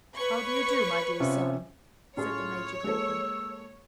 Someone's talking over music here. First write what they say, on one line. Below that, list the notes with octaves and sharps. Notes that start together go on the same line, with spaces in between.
"How do you do, my dear son?" said the major gravely.
B4 C#5 C#6
C3 C#4 F4
A2 C#4 F4 G#4 C#5
G#3 A#3 A4 E6